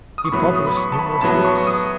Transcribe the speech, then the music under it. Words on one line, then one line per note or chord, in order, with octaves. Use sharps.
He published numerous books.
D#6
C#6
A2 F#3 B3 B5
D#6
B5
C#6
A5
B5
B5
A2 F#3 B3 A5
C#6
D#6